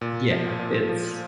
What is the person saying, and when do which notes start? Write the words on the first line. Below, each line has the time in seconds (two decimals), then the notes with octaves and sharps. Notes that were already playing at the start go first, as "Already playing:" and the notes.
Yeah, it's
0.01 A#2
0.30 F3
0.59 A#2
0.89 F3